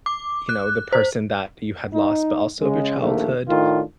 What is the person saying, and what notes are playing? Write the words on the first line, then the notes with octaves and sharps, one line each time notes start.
you know, the person that you had lost, but also of your childhood,
D6
F#6
C5
D#4
C#3 G#3
A#1 D#2 A3 A#3
A2 D#3 D4 F4